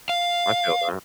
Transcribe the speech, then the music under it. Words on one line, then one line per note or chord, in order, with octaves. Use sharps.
I feel that.
F5